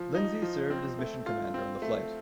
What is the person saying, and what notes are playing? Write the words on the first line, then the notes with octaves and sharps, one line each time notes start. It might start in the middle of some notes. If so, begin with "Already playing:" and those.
Lindsey served as mission commander on the flight.
Already playing: F3
D#4
F3
C4
A3
F4
C4
A3